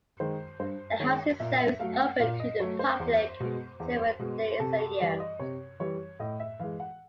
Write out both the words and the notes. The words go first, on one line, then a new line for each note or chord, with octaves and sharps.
The house itself is open to the public several days a year.
D#3 G#3 C5
G2 C5
D#3 G#3 C#5
A#2 E5
E5
F#3 A3 F5
F#5
A#2 F5
D#5
F#3 A3 C#5
C5
E2
B2 G#3
E2
B2 G#3
C3 A4
A4
E3 G3 D5
D#5
C3 C#5
E3 G3 C#5
A2 D#5
E5
E3 G#3 F5
F#5